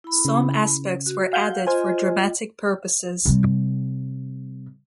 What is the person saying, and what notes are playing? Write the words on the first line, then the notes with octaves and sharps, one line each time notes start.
Some aspects were added for dramatic purposes.
E4 B5
C#3
F#4
F5 F#5 G6
F4 C5 D#5 G#5
C3 G3